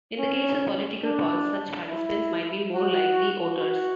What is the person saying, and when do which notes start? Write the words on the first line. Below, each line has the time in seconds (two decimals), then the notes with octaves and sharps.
In the case of political polls, such participants might be more likely voters.
0.19 C#4
1.03 D4
1.88 E4
2.74 F#4
3.58 F#4